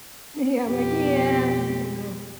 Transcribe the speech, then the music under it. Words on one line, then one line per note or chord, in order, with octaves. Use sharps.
Yeah, I'm like "Yeah, no,"
F2 B2 G4